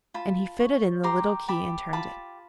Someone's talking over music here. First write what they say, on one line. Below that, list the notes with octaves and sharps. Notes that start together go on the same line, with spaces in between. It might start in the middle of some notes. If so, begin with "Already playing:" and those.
And he fitted in the little key and turned it.
F4 A5 B5
C#5
G4 A#5 C6
G4 A5 B5
F4 A5 B5